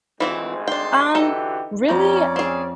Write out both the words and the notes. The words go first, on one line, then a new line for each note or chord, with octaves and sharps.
Um, really?
G#1 D2 E3 G#3 C4 F4 F#4
D4 G5 C6
D3 E3 D#4 F#4 G4 A4
F2 C#4 D5 A#5 G6
C4 G#4